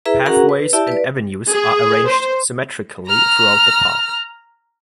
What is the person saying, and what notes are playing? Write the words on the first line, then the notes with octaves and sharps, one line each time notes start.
Pathways and avenues are arranged symmetrically throughout the park.
E4 G#4 B4 E5 A#5
C#4 F#4 G#4 A#4 F#5 A#5
B4
E4 G4 D5 E5 A5
B4 D5
G#4
C5
A#5 F6